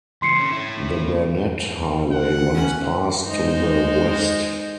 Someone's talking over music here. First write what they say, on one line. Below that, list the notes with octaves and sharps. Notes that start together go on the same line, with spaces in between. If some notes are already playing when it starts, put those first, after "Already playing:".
The Burnett Highway runs past to the west.
C#2 E3 C6 C7 C#7
D3 C#4
E4 C#5
F#5
C#4
G#3 D#4 C5